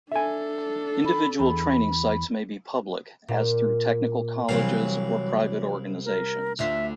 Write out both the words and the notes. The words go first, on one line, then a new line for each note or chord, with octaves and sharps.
Individual training sites may be public, as through technical colleges, or private organizations.
D4 A4 E5 G#5
B5
E2 B5
A#2
C2 E3 F#3 C4 F5
A#4
D2 D3 F4 E5